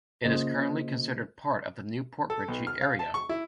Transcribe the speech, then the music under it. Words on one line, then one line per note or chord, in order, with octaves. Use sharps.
It is currently considered part of the New Port Richey area.
C#3 A#3 F4 C5 D#5
A4
B1
F6
F5
A5
C#6
E4